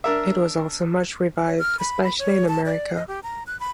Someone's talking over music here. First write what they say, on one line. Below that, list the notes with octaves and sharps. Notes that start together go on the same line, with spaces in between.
It was also much revived, especially in America.
D4 A#4 E5
C#5
F6
B5
B5
C#5
A5
D5
D#5
G4
A#5
F#6
B5